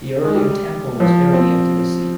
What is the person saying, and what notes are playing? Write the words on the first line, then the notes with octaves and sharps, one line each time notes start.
The earlier temple was very near to the sea.
G#3
G3
F3
C4